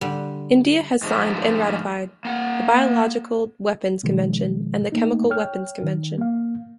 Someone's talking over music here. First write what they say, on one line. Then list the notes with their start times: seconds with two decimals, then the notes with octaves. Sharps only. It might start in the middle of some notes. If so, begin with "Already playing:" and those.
India has signed and ratified the Biological Weapons Convention and the Chemical Weapons Convention.
0.01 D3 G3
1.02 G#2 D3 F3 A3
2.25 A#3 F#5
4.03 B2 D#3 F3 G#3
4.92 A3 A#3 D#4
5.30 C#5 G5 F6
5.83 D#3
6.18 A#3 F5